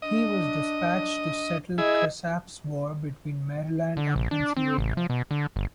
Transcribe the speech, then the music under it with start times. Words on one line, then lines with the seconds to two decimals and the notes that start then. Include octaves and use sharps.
He was dispatched to settle Cresap's War between Maryland and Pennsylvania.
0.02 D4 D#5
1.78 E4 G#4 D#5
3.97 D3
4.16 A#1
4.31 D4
4.57 C4
4.78 A1
4.97 F3
5.10 B2
5.31 D3
5.56 G1